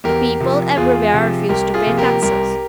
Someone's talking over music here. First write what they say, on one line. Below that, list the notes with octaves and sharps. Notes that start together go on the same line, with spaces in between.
The people everywhere refused to pay taxes.
E2 G4 A#4
C3 F3
E2 F4 G#4
C3 F3
C2 G4 A#4
F4 G#4
C3 F3 A#3
G4 A#4
C2 G4 A#4